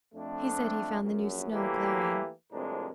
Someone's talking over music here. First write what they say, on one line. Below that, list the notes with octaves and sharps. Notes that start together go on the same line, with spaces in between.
He said he found the new snow glaring.
F2 A3 D4
A#1 F#2
E3 F#3 A3 A#3 E4 G4
C2 F2 A2 G#3 D4 A#4